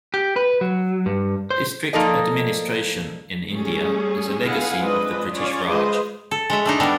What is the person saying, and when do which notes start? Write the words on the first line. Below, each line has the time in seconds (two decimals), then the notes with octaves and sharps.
District Administration in India is a legacy of the British Raj.
0.14 G4
0.36 B4
0.61 F#3
1.06 G2
1.50 C5
1.93 F3 A#3 D#4 A4 D5 D#5
3.52 G3 A3 C#4 G#4
4.44 D3 B3 E4 F5 F#5 G#5
4.81 G#3 C4 D4 F4 B4 D#5
5.34 C#4 F4 C#5 D5
5.66 G#3 F4 G#4 B4 C5 D#5
6.31 A4
6.50 G#3 C#5 E5
6.65 A3 D4 D#4
6.80 G3 B3 D4 A4 A#4